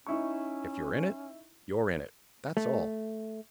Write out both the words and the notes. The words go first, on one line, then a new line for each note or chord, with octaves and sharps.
If you're in it, you're in it, that's all!
C#4 D#4 E4 C#6
A3